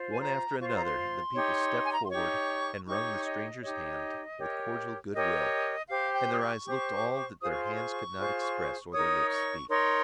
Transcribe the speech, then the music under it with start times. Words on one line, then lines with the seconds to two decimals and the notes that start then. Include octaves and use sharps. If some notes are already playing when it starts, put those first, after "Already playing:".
One after another the people stepped forward and wrung the stranger's hand with cordial good will, and their eyes looked all that their hands could not express or their lips speak.
Already playing: F4 C5
0.10 G#5
0.21 A#5
0.59 F4 C5 C#6
0.68 C6
0.76 A#5
0.84 C6
1.34 D#4 G4 C#5
1.84 G#5
1.92 A#5
2.02 C6
2.10 D#4 G4 C#5 C#6
2.86 D#4 G4 C#5 C#6
3.24 D#5
3.62 D#4 G4 C#5 D#5
4.38 G4 A#4 C#5
5.13 G4 A#4 C#5 D#5
5.89 G4 C5 F5
6.14 G5
6.33 D#6
6.40 C#6
6.65 G4 C5
7.41 F4 G#4 C5 D#6
7.52 C#6
7.62 C6
7.73 C#6
8.17 F4 G#4 C5
8.92 D#4 A#4 C#5 D#6
9.31 C#6
9.68 D#4 A#4 C#5 C6